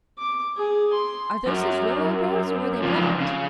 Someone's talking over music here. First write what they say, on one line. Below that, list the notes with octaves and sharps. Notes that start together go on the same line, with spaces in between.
"Are those his real eyebrows or were they blacked?"
D6
G#4
C6
F#2
C#3 F3
C#3